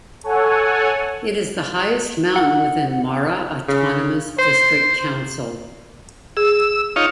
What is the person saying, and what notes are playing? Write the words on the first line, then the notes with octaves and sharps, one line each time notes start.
It is the highest mountain within Mara Autonomous District Council.
A4 C#5 F#5 G#5
F#5
C#3
C5
G#4 E6
D#4 F4 C#5